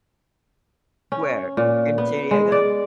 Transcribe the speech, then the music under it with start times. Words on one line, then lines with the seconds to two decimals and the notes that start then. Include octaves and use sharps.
Where? In San Diego?
1.12 C#4
1.57 A#2
1.98 B3
2.31 G#3
2.52 D5